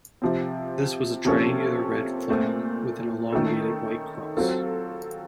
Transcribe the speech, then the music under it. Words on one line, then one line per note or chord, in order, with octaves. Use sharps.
This was a triangular red flag with an elongated white cross.
C3 F3 C4
C3 F3 A#3 C#4 A4
A#2 A3 C4
D#3 A3 C#4 A4
F#3 C4 F4 A4